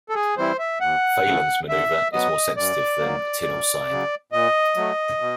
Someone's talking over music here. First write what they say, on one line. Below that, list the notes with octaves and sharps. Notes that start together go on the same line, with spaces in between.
Phalen's maneuver is more sensitive than Tinel's sign.
A4
G#4
E3 G3 C4 E4 C5
E5
D#2 F#5
C#3 E3 A3
D3 E5
F#3 B3 D#5
F#2 D5
D#3 F#3 A#3
F#2
C#3 F#3
A#2 D#5
F#3 A3
B2